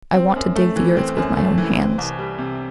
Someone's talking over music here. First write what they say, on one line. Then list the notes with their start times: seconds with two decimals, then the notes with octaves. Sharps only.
I want to dig the earth with my own hands.
0.15 C4
0.36 F#2
0.56 A3
0.76 E3
0.97 C4
1.17 F#2
1.37 A3
1.58 E3
1.77 C4
1.98 C2
2.19 G3
2.38 C3